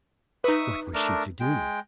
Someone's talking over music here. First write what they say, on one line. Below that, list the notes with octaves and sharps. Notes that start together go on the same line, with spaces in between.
What was she to do?
D#4 B4 E5 C#6 D#6
A3 D4 A#4
G#3 G5